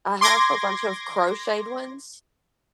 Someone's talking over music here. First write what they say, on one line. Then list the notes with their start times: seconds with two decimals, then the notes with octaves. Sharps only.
I have a bunch of crocheted ones,
0.21 C6 D6 G#6 A#6